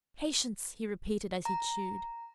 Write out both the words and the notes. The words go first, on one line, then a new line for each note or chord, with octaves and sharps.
"Patience!" he repeated as he chewed.
A#5